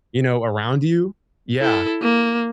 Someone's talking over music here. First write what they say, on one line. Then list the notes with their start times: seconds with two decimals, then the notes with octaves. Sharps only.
you know, around you Yeah.
1.60 E4 A4
2.02 A#3